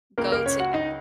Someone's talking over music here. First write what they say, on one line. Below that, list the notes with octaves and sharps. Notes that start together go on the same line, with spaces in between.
go to Em
C#2 C#3 A#3 A#4
A#3 A#4
C#4 C#5
F#4 F#5
D#4 D#5